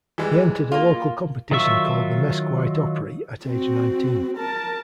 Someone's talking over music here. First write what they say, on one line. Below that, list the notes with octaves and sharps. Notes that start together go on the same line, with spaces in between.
He entered a local competition called the Mesquite Opry at age nineteen.
E3 G3 G#3
A#3 F4
D#3 F#3 F4 E5 C#6
C4 F#4
A#4 A5